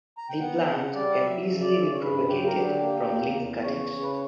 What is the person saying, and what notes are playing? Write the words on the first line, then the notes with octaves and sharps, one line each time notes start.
The plant can be easily propagated from leaf cuttings.
A#5
G5
B3 F#5
C#3 F#5
G3 D5
F#5
F#3 E5
C#3
D5
C#3 E5
D5
C#5
G2 B4
F#3 G4
A#4
D3 G4
A#3 G4
E2
E2
C#3 C#5
C#3
B4
C#5